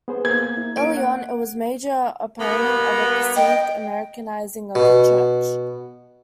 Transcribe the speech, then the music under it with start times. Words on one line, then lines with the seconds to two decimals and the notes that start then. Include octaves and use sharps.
Early on, it was a major opponent of a perceived "Americanizing" of the Church.
0.08 B3 G#4 C5
0.25 A#3 G#6
0.57 E4
0.77 A#3 C#4 D7
0.97 F#5
2.39 G2 A#3 B3
3.36 D#5 G5
4.75 B2